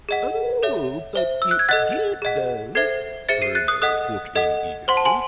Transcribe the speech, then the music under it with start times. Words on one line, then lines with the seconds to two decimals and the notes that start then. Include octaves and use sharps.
"Oh, but it did though!" Bruno put in eagerly.
0.09 G#4 D#5 F#5
0.63 A4 C#5 E5
1.15 C5 E5
1.42 E6
1.51 F#6
1.59 G#6
1.69 A4 D#5 F#5 F#6 A6
2.22 G#4 D#5 F#5
2.75 A4 C5 E5 G#6 C7
3.29 G#4 C5 E5 A6 C#7
3.42 C7 D#7
3.55 F#6 A6
3.68 D#6 F#6
3.82 A4 D#5 F#5 D#6 F#6
4.35 A4 D#5 F#5
4.88 C5 F#5 C6
4.97 A5
5.05 G#5 C6